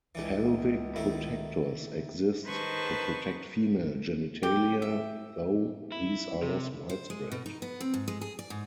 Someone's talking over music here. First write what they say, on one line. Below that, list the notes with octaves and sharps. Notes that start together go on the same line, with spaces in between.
Pelvic protectors exist to protect female genitalia, though these are less widespread.
C#2 E3 D4
A2 D#3 E4
D#3 B4 C5 A5 C#6
G4
E5
E4
C3
C5
G#3
B2
D#4
B3
C4
G#2
G#3
G#4
D5
G#2